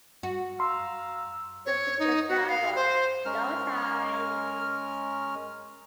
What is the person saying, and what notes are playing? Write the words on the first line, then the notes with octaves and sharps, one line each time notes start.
This produced the album Showtime!
F#4
F5 A#5 C6 E6
C#5
D#4
F#4
F5
C5
G#3 C#4 A#4 F6